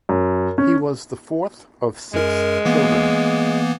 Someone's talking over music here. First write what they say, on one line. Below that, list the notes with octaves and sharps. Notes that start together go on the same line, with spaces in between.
He was the fourth of six children.
F#2
C#4
F#2 G#3 A#4
E3 A#3 B3